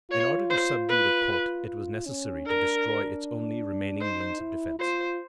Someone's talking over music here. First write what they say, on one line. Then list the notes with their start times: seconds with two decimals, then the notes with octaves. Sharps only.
In order to subdue the court, it was necessary to destroy its only remaining means of defence.
0.11 F4 C#5
0.50 C5
0.89 B4
1.67 F4
2.06 C#4
2.46 D4 A#4
4.01 D#4 C5
4.40 E4
4.79 F4 C5